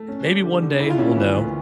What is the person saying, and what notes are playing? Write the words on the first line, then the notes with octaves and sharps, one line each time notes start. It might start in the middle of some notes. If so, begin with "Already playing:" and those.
maybe one day we'll know.
Already playing: A3
C#4
G3
D3
D3
C#3 E4
F4
A#3 C#4 E4
E3
D2